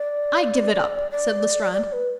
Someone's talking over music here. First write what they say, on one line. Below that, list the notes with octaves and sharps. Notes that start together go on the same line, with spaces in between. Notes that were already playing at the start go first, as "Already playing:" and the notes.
"I give it up," said Lestrade.
Already playing: D5
D5
D5
B4